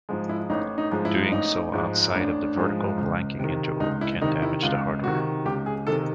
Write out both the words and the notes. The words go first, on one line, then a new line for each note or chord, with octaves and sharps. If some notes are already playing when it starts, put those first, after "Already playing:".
Doing so outside of the vertical blanking interval can damage the hardware.
G#2 F3 G#3
E4
A1 D#4
D#4
G#2 F3 G#3
E4
A1 D#4
G#2 F3 G#3
A1 D4
G#2 F3 G#3
C#2
C3 D#3
C#2 D#4
E4
C3 D#3 D#4
E4
C#2 F4
C3 D#3 F#4
C#2 G4
G#4
C3 D#3 A4